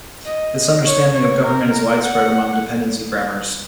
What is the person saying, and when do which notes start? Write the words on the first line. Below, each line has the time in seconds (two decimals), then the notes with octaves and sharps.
This understanding of government is widespread among dependency grammars.
0.24 D#5
0.84 C#5
1.14 C#5
1.43 A#4
2.02 F#5